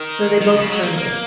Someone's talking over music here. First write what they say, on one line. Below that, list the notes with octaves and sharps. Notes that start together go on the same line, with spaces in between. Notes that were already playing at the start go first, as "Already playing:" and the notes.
So they both turned in.
Already playing: D#3
D#3
C#3
F#3
A#3
A#3